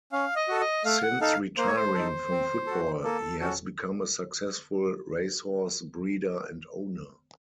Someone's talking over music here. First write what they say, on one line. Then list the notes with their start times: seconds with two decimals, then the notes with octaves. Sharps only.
Since retiring from football, he has become a successful racehorse breeder and owner.
0.12 C#4 F5
0.36 D#5
0.48 F#4 A4
0.61 D#5
0.85 A3 F5
1.02 F#5
1.21 D#4 A4 F5
1.58 A#3 C5
1.67 C#5
1.76 C5
1.94 D#4 A4
2.31 C4
2.67 F#4 A4
3.04 A#3 A4
3.40 C#4 F#4 A4